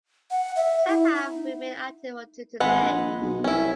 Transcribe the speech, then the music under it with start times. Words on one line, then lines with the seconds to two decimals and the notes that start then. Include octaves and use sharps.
Some have remained active until today.
0.30 F#5
0.56 E5
0.88 E4
1.15 D#4
2.60 G#1 G#3 B4 F#5
2.81 A#1
3.21 B1
3.44 C2 C#4 E4